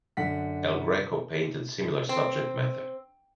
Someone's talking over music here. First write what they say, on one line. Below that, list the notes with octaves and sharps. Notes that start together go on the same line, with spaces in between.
El Greco painted similar subject matter.
F#2 D3 F#5 B6
C4